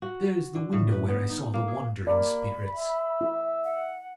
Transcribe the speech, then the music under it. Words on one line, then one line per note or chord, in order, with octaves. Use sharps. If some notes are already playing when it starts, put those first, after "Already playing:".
There's the window where I saw the wandering Spirits!
F#4
D3
A2
B4
B3
D#4
A#3
G#4
A#3 D5 B5
E5
E4
F#5